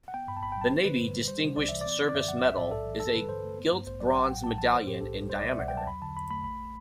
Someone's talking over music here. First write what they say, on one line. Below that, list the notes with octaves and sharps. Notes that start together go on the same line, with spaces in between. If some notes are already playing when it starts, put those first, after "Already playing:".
The Navy Distinguished Service Medal is a gilt bronze medallion in diameter.
F#5
B3 G5
G2 B5
A5
G1 B5
G5
F#3 A5
B3 C5
D3 B4
G2
G3
G3 C5
C3
C2 D5
E3 E5
B3 D5
D3
D5
F#2 E5
F#3 F#5
B1 E5
A2 D5
B1 A4
E3
G2 A4
D3 B4
G2 C5
A3
B3
G2
A1 C5
F#3 D5
A1 F#5
A2 G5
A1 A5
E3 A5
B3 C5
A2 G4
B1 A4
G3
C2 C5
D5
B2
E5
C2 F#5
G5
F#3 A5
E2 B5
D3 A5
E2 B5
A3 B5
A1 B5